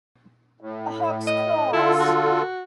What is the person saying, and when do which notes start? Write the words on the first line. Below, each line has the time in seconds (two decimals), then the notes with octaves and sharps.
A hawk's claws.
0.61 A2
1.27 D#5
1.73 D3 E4 F4 A4
2.00 F#4